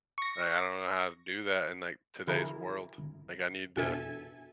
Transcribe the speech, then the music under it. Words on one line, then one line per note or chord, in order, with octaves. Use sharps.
like, I don't know how to do that in, like, today's world, like, I need the
C#6 A#6
D3 F3 E4 F#4 G#4 A#4
G#1
F2 B2 D4 A4 E5 G#5